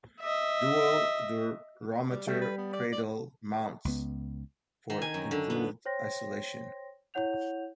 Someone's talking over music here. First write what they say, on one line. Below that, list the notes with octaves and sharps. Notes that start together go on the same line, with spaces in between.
Dual durometer cradle mounts for improved isolation.
D#5 E5
G3
G3 A3
B4
B3
D5
D5
C#2 B3
D#3
G#5
F#2
D3
B3
C5 C#5 G5 C6 A#6
E4 C#5 F#5 G6 F7